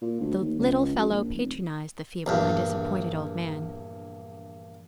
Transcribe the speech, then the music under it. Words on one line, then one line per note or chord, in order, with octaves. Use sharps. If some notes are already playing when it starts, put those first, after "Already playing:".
The little fellow patronized the feeble and disappointed old man.
A#2
D2
D#2
C#2
F#2
A#1
F1
A#1 E2 G2